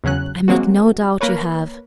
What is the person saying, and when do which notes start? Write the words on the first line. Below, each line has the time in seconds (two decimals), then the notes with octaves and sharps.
I make no doubt you have.
0.04 E2 C#3 F#3 C#4 F#6
0.48 F#3 G#3 A#3 C4 F#4
1.21 A#3 A#4 B4 C#5